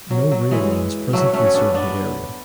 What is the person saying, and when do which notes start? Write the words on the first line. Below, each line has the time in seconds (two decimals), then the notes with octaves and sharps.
No rail lines presently serve the area.
0.11 F#3
0.31 F#3
0.51 E3 G#3
1.13 F#3 A3
1.33 A3 C#4
1.54 B3 D4
1.74 B3 D4